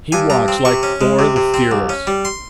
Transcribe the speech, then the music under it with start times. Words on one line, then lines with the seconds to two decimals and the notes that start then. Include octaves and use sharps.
"He walks like Thor the Fearless."
0.12 G2 G#5
0.30 G2 A#5
0.48 C4
0.65 C3 C#6
0.83 C#4
1.01 G#3
1.19 C3
1.36 C3
1.54 C4
1.71 C2
1.89 C#4
2.07 G3
2.25 C6